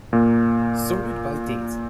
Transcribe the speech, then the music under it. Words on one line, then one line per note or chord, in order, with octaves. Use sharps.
Sorted by date.
A#2 A#3